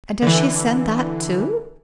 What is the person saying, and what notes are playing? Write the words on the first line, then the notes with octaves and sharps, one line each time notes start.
"And does she send that too?"
D3 E3